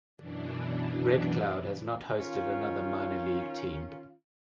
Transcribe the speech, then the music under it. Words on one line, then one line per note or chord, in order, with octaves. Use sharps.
Red Cloud has not hosted another minor league team.
F#2 B2 E3 D4
D#3 C#4 F4